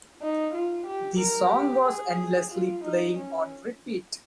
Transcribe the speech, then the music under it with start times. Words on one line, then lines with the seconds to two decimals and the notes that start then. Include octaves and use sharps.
The song was endlessly playing on repeat.
0.22 D#4
0.54 F4
0.87 G4
1.19 A#4
1.53 G4
1.86 G#4
2.51 F4
2.84 D#4
3.18 C#4